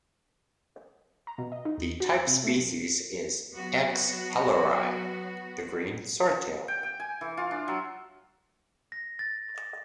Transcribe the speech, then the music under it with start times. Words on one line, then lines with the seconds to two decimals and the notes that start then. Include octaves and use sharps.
The type species is "X. hellerii," the green swordtail.
1.27 A#5
1.38 B2
1.52 D#5
1.65 D#4
1.78 E2
2.00 F#4
2.14 E6
2.27 C3
2.44 A3
2.56 F#3
3.55 F#3 B3 F#4
6.68 G5
6.83 G5
7.00 G#5
7.21 E3
7.37 F4
7.51 D4
7.68 F#3
8.92 A#6
9.19 A6